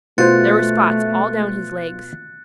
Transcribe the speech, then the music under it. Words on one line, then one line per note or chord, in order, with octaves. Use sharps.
There were spots all down his legs.
B2 A3 F4 C5 F#6 A6 C#7